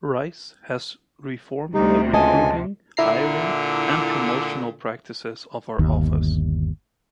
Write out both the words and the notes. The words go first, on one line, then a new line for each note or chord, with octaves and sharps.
Rice has reformed the recruiting, hiring and promotional practices of her office.
D2 C3 G3 D#4
C#2 D#5 G#5 A5
A#2 D3 E4 A#5 C7
G1 D#2